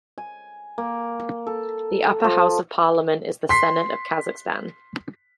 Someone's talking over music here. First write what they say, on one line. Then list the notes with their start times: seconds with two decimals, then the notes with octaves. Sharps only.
The upper house of Parliament is the Senate of Kazakhstan.
0.18 G#5
0.78 A#3
1.47 A4
2.24 F3
3.49 C6 B6 C7